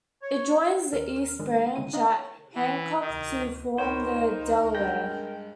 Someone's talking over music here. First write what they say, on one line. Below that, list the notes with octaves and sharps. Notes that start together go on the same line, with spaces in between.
It joins the East Branch at Hancock to form the Delaware.
C#5
D#2 A#4 F6
G#1 D#3 G#3 D4
G#1 C#3 G#3 E4 D#7
D4 D#4 D#5 F5 A#5
C#5
E3
D#3
D#4 A#4 C5 C#5 G5 B5
G2 G#3 G5 A#6